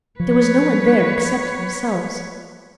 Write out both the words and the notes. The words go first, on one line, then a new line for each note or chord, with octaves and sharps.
There was no one there except themselves.
F3 B4 C#5